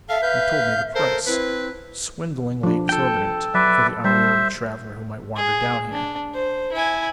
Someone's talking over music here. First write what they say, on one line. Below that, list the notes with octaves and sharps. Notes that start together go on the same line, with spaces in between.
They told me the price--swindlingly exorbitant for the unwary traveller who might wander down here.
A4 E5 F5
B4 F5 G6
A4 A#4 C5
C4 E4 B4
F3 D4
A4 G5
F#3 B4 D5 E5
G3 C5 E5
G#4
D4
C5
E4 G#5